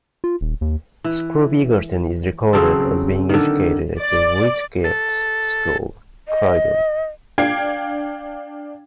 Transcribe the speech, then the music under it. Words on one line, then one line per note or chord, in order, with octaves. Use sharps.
Scroop Egerton is recorded as being educated at the Whitgift School, Croydon.
F4
D#1
D#2
E3
C#3 F#3 C4 A4
D3 D#3
D5
A4
D#5
D4 F5 G5 G#6 C7 D7